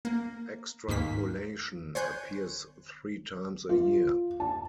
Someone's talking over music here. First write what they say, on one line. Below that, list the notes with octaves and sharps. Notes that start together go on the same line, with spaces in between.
"Extrapolation" appears three times a year.
A#3
D#2 G#2 A#3 B6
C5 C#5 G#5 F#6 G6
F4
A5